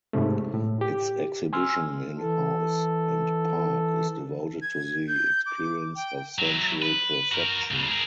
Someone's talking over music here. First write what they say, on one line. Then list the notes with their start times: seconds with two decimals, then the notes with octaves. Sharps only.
Its exhibition in house and park is devoted to the experience of sensual perception.
0.13 G#2 C3 A3
0.54 A2
0.81 G4
1.53 G#5 C6 E6 F6
2.19 E3 A4
4.62 G#6
5.08 G6
5.46 D6
5.96 G5
6.39 F#3 E4
6.82 B4
7.32 F#4 A#4
7.71 C#2 C#3
7.88 G#4 A#4